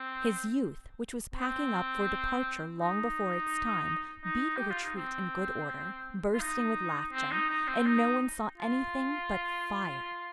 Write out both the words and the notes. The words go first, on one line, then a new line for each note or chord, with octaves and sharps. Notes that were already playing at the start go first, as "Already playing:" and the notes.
His youth, which was packing up for departure long before its time, beat a retreat in good order, bursting with laughter, and no one saw anything but fire.
Already playing: C4
C4
D#4
D#4
G4
F4
D#4
C4
F4
D#4
C4
D#4
D#4
C4
D#4
F4